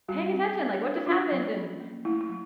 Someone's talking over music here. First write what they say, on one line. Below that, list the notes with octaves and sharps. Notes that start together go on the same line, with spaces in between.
paying attention? Like, what just happened?" And,
G3 F#4
C4
D4
D4
F#4
D4 F4
F#3
C#4
A#3
A3 E4
E4
F#3